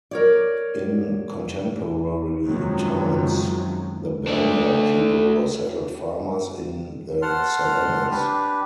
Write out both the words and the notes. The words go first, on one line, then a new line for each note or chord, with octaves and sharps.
In contemporary times, the Banda people are settled farmers in the Savannas.
A#4 C#5 D5
F#2 C3 D#3 F3 F#3 G#3
A3 D4
F#5 A5 C6 F6
D4 G4 B4